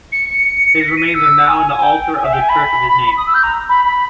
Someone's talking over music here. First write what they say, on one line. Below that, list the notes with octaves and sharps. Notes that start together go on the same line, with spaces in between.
His remains are now in the altar of the church of his name.
C#7
C#7
A#6
B6
D#7
C#7
E6
G#5
G5
G#5
E5
G5
G#5
B5
D#6
E6
G6
A#5
B5
B5